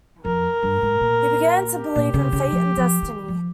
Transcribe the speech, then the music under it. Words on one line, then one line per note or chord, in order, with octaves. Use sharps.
He began to believe in fate and destiny.
F2 A#4
G2
G#2
A#2
G4
A#2
C#3
C#3
F3
F3
D#3
F3